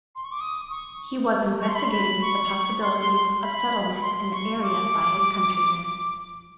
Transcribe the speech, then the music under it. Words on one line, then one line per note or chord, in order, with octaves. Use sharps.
He was investigating the possibilities of settlement in the area by his countrymen.
C6
C#6
D6
D#6
C#6
C#6
C6
B5
C6
B5
C#6
C6
B5
C6
C#6
D6